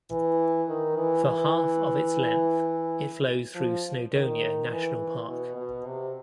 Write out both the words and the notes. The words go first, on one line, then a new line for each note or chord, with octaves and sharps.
For half of its length it flows through Snowdonia National Park.
E3
D#3
E3
E3
F3
D#3
E3
B2
B2
C3